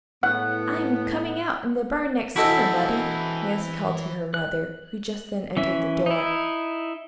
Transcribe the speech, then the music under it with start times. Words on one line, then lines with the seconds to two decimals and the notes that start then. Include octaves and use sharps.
"I'm 'coming out' in the barn next summer, Muddy!" Nancy called to her mother, who just then entered the door.
0.23 A2 B3 F#5
2.36 E3 C4 E4 F#4 A4 D#5 G5
4.34 F#6
5.57 E3 C#4 E5
6.06 D#4 E4